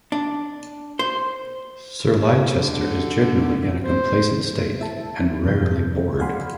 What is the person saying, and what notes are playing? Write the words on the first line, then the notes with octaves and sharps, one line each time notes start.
Sir Leicester is generally in a complacent state, and rarely bored.
D4
C5
D3
C5
E4 E5 A5
F2 C3 G6
D5 F5 F#5 G#5 B5 C6